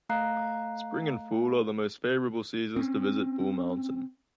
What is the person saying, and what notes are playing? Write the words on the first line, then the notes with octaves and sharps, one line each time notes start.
Spring and fall are the most favorable seasons to visit Bull Mountain.
A3 F5 A#5 F#6 C7
C4 C#4